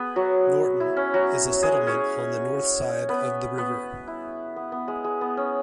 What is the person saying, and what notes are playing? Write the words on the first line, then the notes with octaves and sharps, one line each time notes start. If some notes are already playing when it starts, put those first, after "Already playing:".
'Norton' is a settlement on the north side of the river.
Already playing: B3 G#4 B4
F#3 F#4
E4
C#4
F#3 F#4
G#3 G#4
C#4 C#5
B3 B4
B3 B4
E4
B3
B3
G#3
G#3
B3
C#4